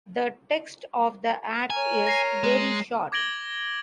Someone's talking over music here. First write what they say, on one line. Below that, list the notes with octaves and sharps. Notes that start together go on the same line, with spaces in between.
The text of the Act is very short.
A#4 C#5 G#5
A#6 C7 D#7
G#3
D6 G#6 A#6 D7 F#7 G7